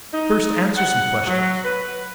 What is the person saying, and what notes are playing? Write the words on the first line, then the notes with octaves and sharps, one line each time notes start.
First answer some questions.
D#4
F#5
F#3
B4